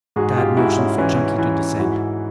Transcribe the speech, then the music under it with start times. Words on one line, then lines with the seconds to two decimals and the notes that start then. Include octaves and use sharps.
Tad motioned for Chunky to descend.
0.16 G#2 F#4 G#4
0.36 F4 G4
0.57 G#2 E4 F#4
0.78 C#4
0.98 E3 C#4
1.38 E3
1.79 G#2 E4 F#4